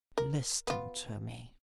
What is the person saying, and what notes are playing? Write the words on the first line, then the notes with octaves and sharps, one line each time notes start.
'Listen to me.
A#4
B3 F4